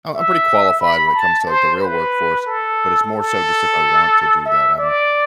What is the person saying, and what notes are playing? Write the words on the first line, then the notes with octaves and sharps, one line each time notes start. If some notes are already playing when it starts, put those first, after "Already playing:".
um, I'm pretty qualified when it comes to, like, the real workforce, but it's more so just if I want to do that, I'm
E5
B5
A5
C5
B4
A4
A4
E5
D5